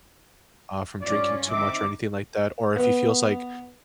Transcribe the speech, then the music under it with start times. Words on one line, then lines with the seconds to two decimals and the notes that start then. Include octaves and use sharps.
uh, from drinking too much or anything like that. Or if he feels like,
1.01 G2 C#4 F4 D5
1.49 D3 C4 D#4 E5 D6
2.76 B3